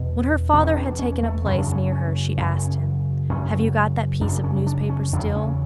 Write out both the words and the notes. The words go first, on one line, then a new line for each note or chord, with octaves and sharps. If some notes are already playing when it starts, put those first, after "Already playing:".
When her father had taken a place near her she asked him, 'Have you got that piece of newspaper still?'
Already playing: E2 B2
E2 B2 C#4
D4
C#4
A3
F#2 C#3 C#4
D4
C#4
C#4
F#2 C#3 C#4
F#2 C#3 C#4
F#2 C#3 D4
C#4
D4
C#4
E2 C#3 D4
C#4